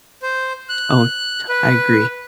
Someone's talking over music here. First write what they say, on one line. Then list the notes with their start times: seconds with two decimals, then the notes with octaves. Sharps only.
Oh, to I agree.
0.22 C5
0.69 F#6
1.49 B4